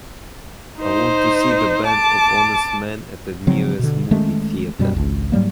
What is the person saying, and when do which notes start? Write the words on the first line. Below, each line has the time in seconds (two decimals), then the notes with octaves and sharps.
I want to see The Band of Honest Men at the nearest movie theatre.
0.79 D#4 C5
1.87 A5 D6
3.47 C#3 F3 F#3 C4
3.79 B2 D3
4.11 D#3 G#3 A3 C#4
4.79 F#2 B2 G3
4.93 D#1 G#1 C#2
5.32 G#2 F#3 G3 A#3